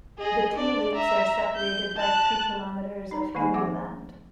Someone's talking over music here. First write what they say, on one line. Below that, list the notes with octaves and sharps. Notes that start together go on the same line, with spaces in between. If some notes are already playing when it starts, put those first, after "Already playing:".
The two lakes are separated by three kilometers of hilly land.
G#4 D#5
D4 D5
E5 A#5
G6
A5 F#6
D#4 A#5
D#3 A#3 D#4 G#5
F3 C4 G#4 E5 F#5 D6